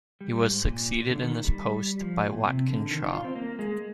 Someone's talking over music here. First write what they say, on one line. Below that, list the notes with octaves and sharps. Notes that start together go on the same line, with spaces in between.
He was succeeded in this post by Watkins Shaw.
G3
G#2
A#2
D3
D#3
G3
F3
A#2
C3
D3
D#3
D4
D#4
F4
C4
A#3
G#3